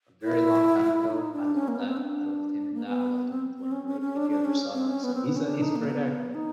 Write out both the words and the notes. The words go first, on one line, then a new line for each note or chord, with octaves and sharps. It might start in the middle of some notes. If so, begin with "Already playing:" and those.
a very long time ago. I love that. I loved him in that. I loved him in Point Break, if you ever saw that, so he's a he's a great actor, man,
E4
D#4
D4
C#4
A#3
B3
C4
D4
A#3
B3
C4
C4
C#4
C#4
C#4
D4
D4
C#4
C4
C#4
B3
C4
B3
C#4
D4
D#4
A#3
B3
D#4